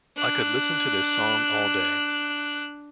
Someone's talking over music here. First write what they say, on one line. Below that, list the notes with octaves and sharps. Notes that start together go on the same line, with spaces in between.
I could listen to this song all day.
D4 F#6